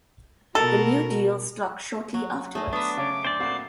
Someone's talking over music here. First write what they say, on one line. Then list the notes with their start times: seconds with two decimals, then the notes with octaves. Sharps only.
"The New Deal" stuck shortly afterwards.
0.55 B2 F#4 A4 A#4
2.14 F#3
2.55 A3 G#4 D#5
2.73 F#3 B3 D4 B4 E5 D#6
2.97 C#3 C#5 D6
3.25 D2 C5 D5
3.40 A#1 F2 F#4 C7